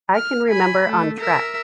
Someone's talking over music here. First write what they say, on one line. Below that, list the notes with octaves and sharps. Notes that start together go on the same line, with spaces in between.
I can remember on Trek.
F6
G#5 B5
A3
A#4 E5